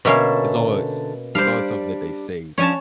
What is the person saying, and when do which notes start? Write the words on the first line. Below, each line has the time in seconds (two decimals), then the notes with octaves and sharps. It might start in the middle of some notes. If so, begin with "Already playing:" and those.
it's always it's always something that they say,
0.05 B2 D3 A#3 C#4 A4 E5
1.35 G3 D4 C5 D5 F5
2.58 F3 C#4 D4 C#5 G#5 A5